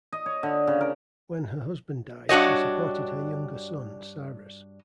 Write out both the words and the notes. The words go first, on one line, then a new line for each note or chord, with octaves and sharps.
When her husband died, she supported her younger son Cyrus.
D#5
C#5
D3
C#3
A#4
G2 D4 F#4 C#5 D#5